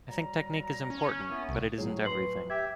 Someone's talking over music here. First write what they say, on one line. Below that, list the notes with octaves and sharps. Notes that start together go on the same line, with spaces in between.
I think technique is important but it isn't everything.
F#3 G3 A#5
C#4
A#3 B3 E4
C2
A2 F#3 G#4 C#5
B4 C6 C7 F#7
G4 E5 G#6